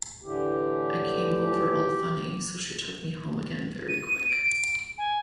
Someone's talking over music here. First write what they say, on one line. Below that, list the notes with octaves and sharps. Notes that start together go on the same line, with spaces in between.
I came over all funny, so she took me home again very quick.
A2 D3 E3 G4
D#7
D7
G#5